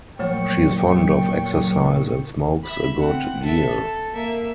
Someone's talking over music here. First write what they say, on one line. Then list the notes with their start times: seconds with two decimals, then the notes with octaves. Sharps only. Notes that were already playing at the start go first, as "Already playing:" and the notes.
She is fond of exercise and smokes a good deal.
0.19 A#2 F3 F#3 A3 C#5 G5 C#6
2.64 E5 B5
2.99 C4 F#5
3.42 A4 E5
3.71 A4
4.15 A#3 E5